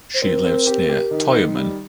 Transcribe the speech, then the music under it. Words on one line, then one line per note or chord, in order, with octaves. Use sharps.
She lives near Tyumen.
C5
C4 A#4
C4
G4
G4
D#3
D#3
G3